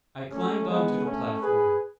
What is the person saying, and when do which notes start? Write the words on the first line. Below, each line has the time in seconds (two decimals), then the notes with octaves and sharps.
I climbed onto the platform.
0.31 A3 C#4
0.68 G#3 B3
1.05 A3 C#4
1.41 G#4 B4